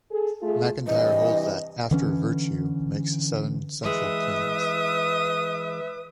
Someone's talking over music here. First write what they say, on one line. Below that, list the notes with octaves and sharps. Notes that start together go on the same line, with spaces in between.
MacIntyre holds that "After Virtue" makes seven central claims.
G#4 A4
A3 F4 G#4
G2 C3 E3 D#5
D3 E3 C#4
E3 G#3 B4 E5 D#6